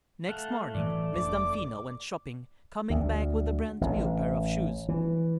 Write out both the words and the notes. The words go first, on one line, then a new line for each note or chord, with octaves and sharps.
Next morning Miss Damfino went shopping, coming back with a brand new pair of shoes.
A3 F5 F#5
A2 E3 F#3 D5
F1 D4 D6
D2
A1
E3